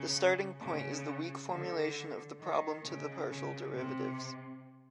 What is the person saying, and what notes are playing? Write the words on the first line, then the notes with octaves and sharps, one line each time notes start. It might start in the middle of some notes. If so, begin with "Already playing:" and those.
The starting point is the weak formulation of the problem to the partial derivatives.
Already playing: C#3
C#3
D3
D#3
C#3
C#3
C3